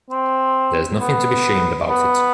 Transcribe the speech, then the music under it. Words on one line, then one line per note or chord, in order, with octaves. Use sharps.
There’s nothing to be shamed about it.
C4
B3
B3